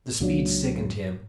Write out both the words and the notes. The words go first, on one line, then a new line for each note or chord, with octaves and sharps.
The speed sickened him.
C#2 A#2 F#3 D4